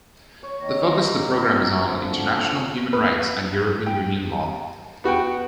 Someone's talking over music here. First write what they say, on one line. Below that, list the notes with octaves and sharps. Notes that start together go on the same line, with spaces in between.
The focus of the program is on international human rights and European Union law.
C#5
D#3 A#3 A#5
D3 F3 F#4
B4
G5
B3 F#4 F#5 G5